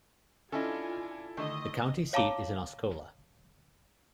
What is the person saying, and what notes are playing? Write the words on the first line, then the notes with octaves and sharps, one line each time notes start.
The county seat is Osceola.
C#4 D4 E4 F4 A4 D#5 G#5
D3 D#3 A3 D#5
C#5 F5 A5 A#5 D6